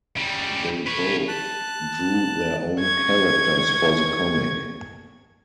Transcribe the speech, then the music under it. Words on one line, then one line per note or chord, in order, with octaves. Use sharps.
They both drew their own characters for the comic.
C#3 G3
B4 C#5
A5 F#6
C#6 G#6